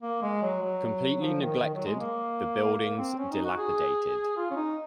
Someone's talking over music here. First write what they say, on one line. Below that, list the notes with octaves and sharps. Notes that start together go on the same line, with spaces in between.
Completely neglected, the buildings dilapidated.
A#3
G#3
F#3
F#3
F3
D#3
D#3
F#3
G#3
A#3
A#3
C4
C#4
D#4
F#4
G#4
F4
C#4
D#4